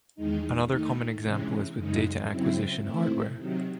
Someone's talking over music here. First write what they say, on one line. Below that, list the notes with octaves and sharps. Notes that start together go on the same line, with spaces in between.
Another common example is with data acquisition hardware.
E2 D#3 G#3 D#4
D#3 A3 D#4
C3 E3 G#3 C#4
F#2 C#3 G#3 D#4
C#3 F#3 C4 E4
D#3 A3 C4 E4
C3 D#3 F#3